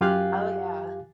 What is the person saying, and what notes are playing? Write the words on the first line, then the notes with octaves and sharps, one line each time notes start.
Oh, yeah.
F#2 F4 G4 F5 G#5 F#6